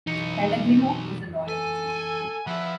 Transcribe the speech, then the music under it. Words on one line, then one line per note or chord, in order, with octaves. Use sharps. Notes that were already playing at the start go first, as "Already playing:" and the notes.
Pellegrino was a lawyer.
B1 E3 D#4 C#7
A4 G#5
F3 E5 F#5 B5